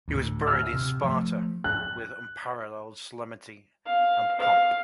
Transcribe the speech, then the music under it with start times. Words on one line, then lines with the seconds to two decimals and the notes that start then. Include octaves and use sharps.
He was buried in Sparta, with unparalleled solemnity and pomp.
0.08 D2 A2
0.47 E6 F6
0.74 C3
1.03 F3 G#3 A3
1.64 F#6
3.86 F5
4.40 F5